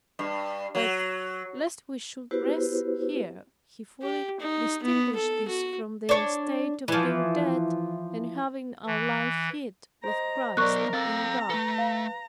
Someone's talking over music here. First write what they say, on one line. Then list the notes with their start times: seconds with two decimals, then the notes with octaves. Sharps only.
But, lest we should rest here, he fully distinguishes this from the state of being dead and having our life hid with Christ in God.
0.19 G2
0.75 F#3
2.31 B3 E4 F#4 G4 B4 C5
4.03 G4
4.40 D#4
4.83 B3
5.16 A4
5.48 F#4
6.09 D4 C#5
6.88 E3 F3
8.87 E3
10.04 C5 D#5 A#5
10.57 F#3 B3 A#4 D5 C#6 F#6
10.93 C4 A4 F5 A#5 E6 A6
11.50 A3 A4 B4
11.78 F5